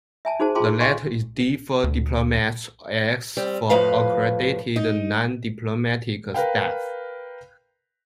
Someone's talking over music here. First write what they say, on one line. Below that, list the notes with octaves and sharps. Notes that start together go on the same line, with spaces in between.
The letter is D for diplomats or X for accredited non-diplomatic staff.
E5 G#5 A5
D#4 F#4 G#4 C5 A5
F4 G#4 G5 A5 C6 D6
D#5 F5 G5 G#5 C6 C#6
D2
G3 C4
F2 A2 F3 B4 F5
D#4
A#4 B4 F5 G5